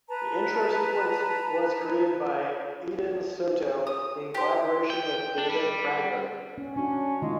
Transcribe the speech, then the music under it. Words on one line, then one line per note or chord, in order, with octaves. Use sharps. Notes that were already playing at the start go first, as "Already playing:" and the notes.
The intro sequence was created by Eden Soto in collaboration with David Prager.
B4 A5 A#5
D#6
G4 C5
G5
D4
G3
C#4
C#4 D4 F#4
D#3 G#3 F4